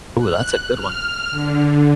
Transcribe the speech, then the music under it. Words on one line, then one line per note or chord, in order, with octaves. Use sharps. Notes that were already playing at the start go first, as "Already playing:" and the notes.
Ooh, that's a good one.
F#6
F6
D3